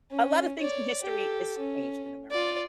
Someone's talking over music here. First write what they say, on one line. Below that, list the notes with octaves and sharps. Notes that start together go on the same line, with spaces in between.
a lotta things in history has changed in America,
C#4
C#5 D5
G4 A4
C#4
F4 D5